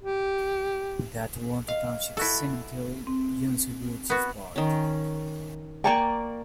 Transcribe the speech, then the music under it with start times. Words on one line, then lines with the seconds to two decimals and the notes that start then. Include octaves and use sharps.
In the Toronto Township Cemetery, John C. Woods is buried.
0.02 G4
1.68 D#5 F5
2.17 E4 F#4 A4
3.07 C4
4.10 B3 F#4
4.56 D#3 C#4
5.84 A#3 D5 G5 G#5 A#5 C#6